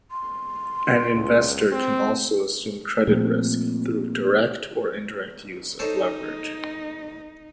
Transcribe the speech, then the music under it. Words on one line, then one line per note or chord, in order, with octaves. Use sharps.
An investor can also assume credit risk through direct or indirect use of leverage.
C6
C#2
C4
A#2 F3 A3 C4
D#4 A4 C5 C#5